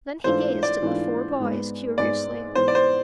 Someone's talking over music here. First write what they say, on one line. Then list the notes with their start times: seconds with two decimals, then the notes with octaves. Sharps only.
Then he gazed at the four boys curiously.
0.24 G#2 E3 A3 D4 F4 C5
0.63 D5
0.82 G#2 E3 A3 D4 F4
1.39 G#2 G#3 B3
1.98 G#2 G#3 B3 D5
2.55 G#2 E3 B3 C5
2.68 D5
2.75 C5